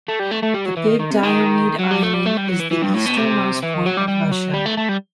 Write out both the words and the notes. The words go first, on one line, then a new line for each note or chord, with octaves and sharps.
The Big Diomede Island is the easternmost point of Russia.
A3
G3
A3
A3
G3
F#3
E3
D#3
D#3
C3
D#3
F#3
G3
A3
G3
A3
G3
F#3
E3
E3
G2
A2
B2
C3
E3
D#3
F#3
G3
G3
F#3
G3
A3
A3
G3